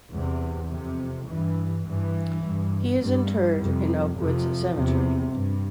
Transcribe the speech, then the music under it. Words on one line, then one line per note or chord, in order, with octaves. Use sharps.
He is interred in Oak Woods Cemetery.
E2 C3
F2 C3
G2 E3
G2 E3
G2
G2 G3
F2 C3
F2 C3 F3
E2 C3
G2